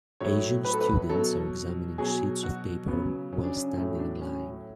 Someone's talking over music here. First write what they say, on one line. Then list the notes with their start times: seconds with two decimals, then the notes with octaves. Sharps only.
Asian students are examining sheets of paper while standing in line.
0.20 A2 F#3 C#5
0.65 B4
0.73 A4
0.81 B4
1.09 B2 F#3 A4
1.98 B2 F#3 G#4
2.43 F#4
2.88 C#3 F#3 B3
3.33 C#4
3.44 D4
3.56 C#4
3.77 A2 F#3 C#4
3.99 D4
4.22 C#4